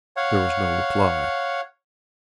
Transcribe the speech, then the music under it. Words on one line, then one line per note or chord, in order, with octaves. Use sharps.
There was no reply.
C#5 F5 F#5